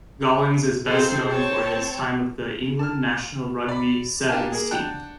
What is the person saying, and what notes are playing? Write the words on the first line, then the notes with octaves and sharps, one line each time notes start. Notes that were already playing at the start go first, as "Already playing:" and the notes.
Gollings is best known for his time with the England national rugby sevens team.
C4 D#4 F4 G#4 A4 C5
C4 C#5 G5 A5
A5 F6
D5 B5
D4 G4 A#4 F5 G#5 A5
A#3 G#4
D4 F#5 G5 A5